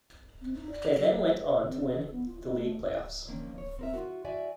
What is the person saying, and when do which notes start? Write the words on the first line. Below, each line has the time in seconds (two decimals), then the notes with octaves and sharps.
They then went on to win the league playoffs.
0.41 C4
0.56 D#4
0.70 D5
0.98 F#3
1.41 B4
1.65 C4
1.94 E3
2.11 B3
2.26 F4
2.43 C4
2.56 A3
3.27 D3 D#3 F3 A#3 C#4
3.58 C#5
3.79 C4 A#4 E5
3.94 F4 F#4
4.25 F#4 D5 E5 G#5